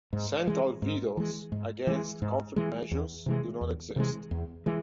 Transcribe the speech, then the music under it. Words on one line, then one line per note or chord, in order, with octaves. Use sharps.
Central vetoes "against" conflict measures do not exist.
G#2
E3 G#3
G#2
E3 G#3
G#2
E3 G#3
G#2
E3 G#3
E2
C3 E3 G#3
E2
C3 E3 G#3
E2
E3 G#3